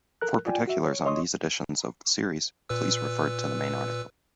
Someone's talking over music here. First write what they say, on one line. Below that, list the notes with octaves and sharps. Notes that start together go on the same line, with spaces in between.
For particulars on these editions of the series, please refer to the main article.
A4 A#4 F#6
F4 D5 G5 G#5
F#4 E5
C#5
C#5 D#5 C6 C#6 D#6
A#2 B4 E6